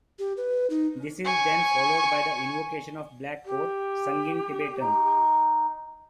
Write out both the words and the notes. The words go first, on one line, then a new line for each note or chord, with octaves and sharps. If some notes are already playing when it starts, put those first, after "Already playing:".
This is then followed by the "Invocation of Black Coat", sung in Tibetan.
G4
B4
D#4
G#5 C#6
G4
D#4